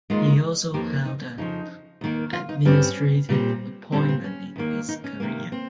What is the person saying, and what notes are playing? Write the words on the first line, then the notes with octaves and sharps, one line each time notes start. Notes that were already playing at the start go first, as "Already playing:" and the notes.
He also held an administrative appointment in his career.
D#2 D#3 G#3 F4
F2 D#3 A#3 G4
D#4
C#4
F2 C#3 F3 D#4
D#2 D#3 A#3
F4
D#4
G2 G3 C4 C#4
A#2 G3 C4
A#2 G3 C4 C#4
C4
C#4
D#2 D#3 A#3
D#4
C#4
C3 D#3 A#3
C4